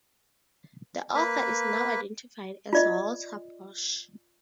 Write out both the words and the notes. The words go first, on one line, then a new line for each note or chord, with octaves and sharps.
The author is now identified as Walter Bosch.
A#3 B4
F4 D5 D#5